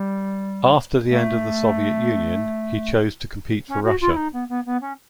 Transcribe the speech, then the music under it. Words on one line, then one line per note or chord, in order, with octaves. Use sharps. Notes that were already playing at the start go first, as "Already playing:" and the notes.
After the end of the Soviet Union, he chose to compete for Russia.
Already playing: G3
A3
C#4
F#4
F4
E4
D#4
B3
B3
B3
C#4